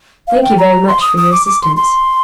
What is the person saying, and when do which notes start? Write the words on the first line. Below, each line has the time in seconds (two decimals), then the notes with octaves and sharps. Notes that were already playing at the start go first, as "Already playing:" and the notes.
Thank you, very much, for your assistance.
0.27 F5
0.42 G5
0.58 A#5
0.88 C6
1.01 D#6
1.17 D#6
1.32 D6
1.46 D6
1.62 C6
1.76 C6